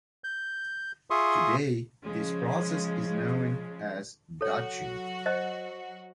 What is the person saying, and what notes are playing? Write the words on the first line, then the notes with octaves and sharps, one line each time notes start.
Today, this process is known as "Dutching".
G6
F4 G#4 E5 C6 C#6 D#6
C#3 F3 G#3
F#3 F#4 A4 C#5
C5 D#5